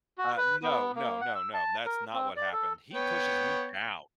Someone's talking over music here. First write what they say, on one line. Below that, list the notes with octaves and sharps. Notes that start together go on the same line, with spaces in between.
Uh, no, no, no, no, that's not what happened. He pushes me down,
F#4
B4
B3
A#3
F#5
E6
A5
A#4
C4
D5
A4
B3 C#5 G5